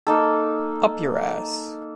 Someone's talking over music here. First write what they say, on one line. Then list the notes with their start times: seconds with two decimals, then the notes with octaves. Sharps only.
Up your ass!
0.07 A#3 D#4 A4